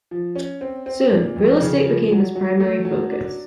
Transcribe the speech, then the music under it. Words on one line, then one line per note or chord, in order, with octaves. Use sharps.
Soon, real-estate became his primary focus.
F3
C#4
C4
C4
A#2
F2
C#3
F3
F#3
F#3
A3
F#3
D4